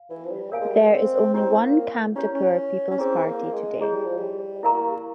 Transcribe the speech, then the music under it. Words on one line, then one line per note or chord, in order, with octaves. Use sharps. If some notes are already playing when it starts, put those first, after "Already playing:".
There is only one Kamtapur People's Party today.
Already playing: F5
E3
F3
G3
A#3 A#4 C#5 F5 G#5
G#3
G3
G#3
C4
C4 E4 G4 C#5
A#3
C#4 E4 G4 C#5
C#4
C#4
C4 E4 G#4 C#5
A#3
G#3
G#3 E4 G#4 C#5
G3
F3
G3
A#3 E4 A#4 F5 A#5 C#6